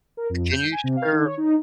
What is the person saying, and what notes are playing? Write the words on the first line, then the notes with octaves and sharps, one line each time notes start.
can you share
A#4
F2
G6
G#5
C3
F5
D#3
C#5
D#4